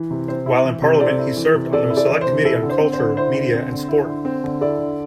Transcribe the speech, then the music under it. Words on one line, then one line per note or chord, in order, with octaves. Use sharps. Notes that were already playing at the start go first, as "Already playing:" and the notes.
While in Parliament he served on the Select Committee on Culture, Media and Sport.
Already playing: E3
C3
C4 C5
E4
E3
C3
C4 A4 D5
E4
E3
C3
C4 A4 D5
E4
A4 D5
E3
C5
C3
E4 A4
D3
C5
C4
C5
D3
E4 C5
D3
C4
D3
E4
D3
C4
D3
E4 A4 D5
D3